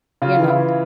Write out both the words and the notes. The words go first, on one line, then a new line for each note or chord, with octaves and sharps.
you know,
C#3 F4
E3
E4
E3